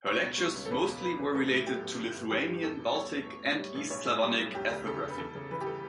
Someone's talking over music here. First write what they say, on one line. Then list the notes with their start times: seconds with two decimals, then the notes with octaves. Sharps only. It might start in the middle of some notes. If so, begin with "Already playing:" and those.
Her lectures mostly were related to Lithuanian, Baltic and East Slavonic ethnography.
0.07 C#2 C#5
0.23 B2
0.38 G3
0.54 C#2
0.65 A4
0.71 E2 B4
0.87 B2
1.03 F#3 B4
1.19 E2
1.34 A1 A4
1.51 A2
1.66 F#3 G4
1.83 A1
1.98 G1
2.14 G2
2.30 E3 G4
2.47 G3
2.63 E2 A4
2.79 B2
2.95 G3 C#5
3.11 E2
3.26 A1
3.42 A2
3.58 G3
3.75 A1
3.90 B1 C#5
4.06 A2
4.23 G3
4.39 B1
4.55 E1 G4
4.70 D2
4.87 C#3 A4
5.03 E1
5.09 B4
5.18 E2 A4
5.35 C#3
5.51 E3 B4
5.61 G4
5.66 G3 A4